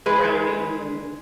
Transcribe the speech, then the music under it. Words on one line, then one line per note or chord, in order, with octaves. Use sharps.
around me who
G#3 G#4 B4